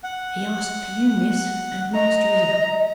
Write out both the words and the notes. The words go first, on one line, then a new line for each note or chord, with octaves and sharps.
'He asked for you, miss; and master is out.'
F#5
D#5 A#5